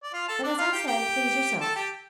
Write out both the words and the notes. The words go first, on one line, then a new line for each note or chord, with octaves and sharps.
But as I said, please yourself.
D5
F4 F5
A4 A5
D4 D5
F4 F5
G4 G5
G4 G5
A4 A5
G4 G5